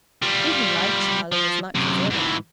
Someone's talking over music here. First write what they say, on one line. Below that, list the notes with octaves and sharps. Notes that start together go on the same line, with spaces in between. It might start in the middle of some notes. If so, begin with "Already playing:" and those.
And he liked Charlie as much as ever.
G3 F4
F3
F#2 C3
G#2 E3